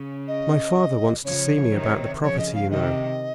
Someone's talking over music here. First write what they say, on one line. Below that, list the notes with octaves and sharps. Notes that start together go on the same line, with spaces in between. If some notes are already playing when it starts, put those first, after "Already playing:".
"My father wants to see me about the property, you know."
Already playing: C#3
D#5
C#3 F3 C#5
C3 D#3
C#3 F3 C#5
D#5
F5
C3 D#3 D#5